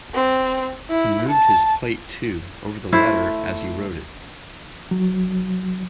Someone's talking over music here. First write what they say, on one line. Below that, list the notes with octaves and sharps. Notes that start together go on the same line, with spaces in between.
He moved his plate, too, over the letter as he wrote it.
C4
E4
A5
A3 E4 C5
F#3